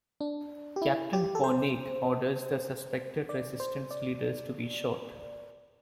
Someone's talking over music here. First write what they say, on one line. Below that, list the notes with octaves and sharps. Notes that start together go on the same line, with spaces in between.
Captain Koenig orders the suspected resistance leaders to be shot.
D4
G4
E4
G4
A4
C5
D5
C5
D5